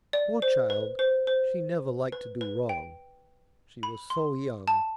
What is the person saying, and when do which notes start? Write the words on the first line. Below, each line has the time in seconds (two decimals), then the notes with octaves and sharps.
Poor child! she never liked to do wrong,--she was so young!
0.13 D5
0.42 C5
0.70 B4
0.99 C5
1.27 C5
2.12 B4
2.41 B4
2.69 G5
3.83 B5
4.10 C6
4.68 A5